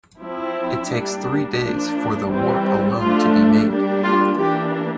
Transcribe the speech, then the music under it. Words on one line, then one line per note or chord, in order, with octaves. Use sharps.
It takes three days for the warp alone to be made.
F3 C4 E4
G3 A#3 D4
F3 A#3 D4
E3 G3 C4
F3 A3 D4 F4
G3 A#3 D4
F4
E3 A#3 D4 G4